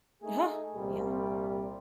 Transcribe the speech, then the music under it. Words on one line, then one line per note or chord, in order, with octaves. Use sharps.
Uh-huh. Yeah.
A3 D#4 G#4
C2 A#2 G3